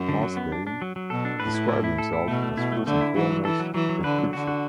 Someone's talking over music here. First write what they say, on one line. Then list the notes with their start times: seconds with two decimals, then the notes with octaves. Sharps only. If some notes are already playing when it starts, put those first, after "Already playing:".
Marsden described himself as first and foremost a preacher.
Already playing: F#2
0.09 D3
0.23 F#3
0.37 B3
0.52 D4
0.67 D4
0.82 F#3
0.96 F#3
1.10 B2 A4
1.25 D4
1.40 A2 B4
1.54 E4
1.69 E4
1.84 E4
1.98 A4
2.13 E4
2.28 B2 A3
2.43 A3
2.57 B2 E4
2.72 A3
2.86 D3 A3
3.01 E4
3.16 E3 F#3
3.30 F#3
3.45 E3 A4
3.60 F#3
3.74 E3 F#3
3.89 F#3
4.03 D3 B4
4.18 F#3
4.33 D3 F#4
4.47 F#4